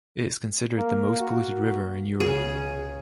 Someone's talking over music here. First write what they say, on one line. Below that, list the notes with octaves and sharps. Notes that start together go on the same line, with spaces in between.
It is considered the most polluted river in Europe.
A#3
F#4
C#2 C#3 G#4